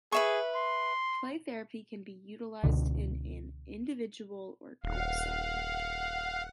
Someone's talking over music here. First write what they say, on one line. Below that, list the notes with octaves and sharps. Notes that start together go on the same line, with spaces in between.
Play therapy can be utilized in an individual or group setting.
G#4 B4 E5 C#6
C6
C#2 B2 D3
D#1 F5 F#5